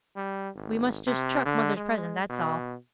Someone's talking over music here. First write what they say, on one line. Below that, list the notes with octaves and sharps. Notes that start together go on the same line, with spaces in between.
We must just chuck mother's present, that's all.
G3
G#1
C3
D3
G#3
B2